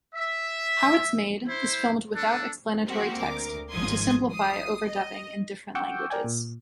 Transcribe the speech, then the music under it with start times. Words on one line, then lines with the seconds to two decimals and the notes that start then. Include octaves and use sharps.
"How It's Made" is filmed without explanatory text to simplify overdubbing in different languages.
0.15 E5
1.47 E4 C5
2.15 D4 A4
2.88 G#3 A#3 C4 F#4 G4
3.19 D2 A#4 D6
3.71 G#1 G#2 F3 C6 D#6 G#6
4.32 D#6 C7
4.86 D#5
5.75 F#5 G5 C#6 D6 E6 G6
6.10 A#4 D5 G5 G#5
6.24 A#2